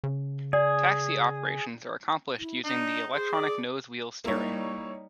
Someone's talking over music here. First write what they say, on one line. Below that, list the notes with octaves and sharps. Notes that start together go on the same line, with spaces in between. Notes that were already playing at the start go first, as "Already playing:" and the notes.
Taxi operations are accomplished using the electronic nose wheel steering.
C#3
G#4 D5
E4
D4 D#4
G#4 C5
D5
G3 A#3 D#4 E4 C#5